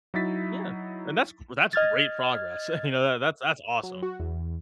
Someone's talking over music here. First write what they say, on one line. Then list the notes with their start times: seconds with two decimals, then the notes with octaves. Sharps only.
Yeah. And that's w that's great progress, uh, you know, tha that's that's awesome.
0.14 F#3 D#4 E4 E5 A6 B6
1.73 D#5 F6 G#6 A6
3.83 F#3
4.02 F#4
4.20 E2